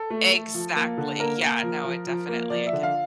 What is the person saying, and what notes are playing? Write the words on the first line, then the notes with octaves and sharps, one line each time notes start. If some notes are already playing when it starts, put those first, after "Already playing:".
Exactly, yeah, no, it definitely, it can
Already playing: A4
A3
A3
F3
A#3
D3
A#3 A#4
A#3
F3
F3
F3
A#3
F3 D5
E5
D3
F5